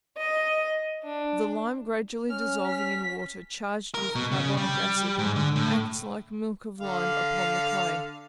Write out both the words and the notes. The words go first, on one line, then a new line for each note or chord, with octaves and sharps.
The lime gradually dissolving in water charged with carbonic acid, acts like milk of lime upon the clay.
D#5
D4
C#4 F6
B6
A#4
B2
C#3
G3
G#2
D3
A2
D3 F5